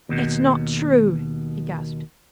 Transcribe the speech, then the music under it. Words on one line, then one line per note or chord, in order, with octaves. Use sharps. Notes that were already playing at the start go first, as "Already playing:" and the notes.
"It's not true!" he gasped.
D#2 B2